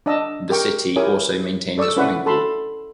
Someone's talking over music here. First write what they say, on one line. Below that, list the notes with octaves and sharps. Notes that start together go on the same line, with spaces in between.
The city also maintains a swimming pool.
D4 D5 D#5 A5 E6
G4 A#4 G5 C#6
E4 G4 A#4 C#5 G#5 D#6
A4 D5 C#6 D#6 E6
C#4 E4 B4 D5 F#5 C#6
A4 A5 B5 C6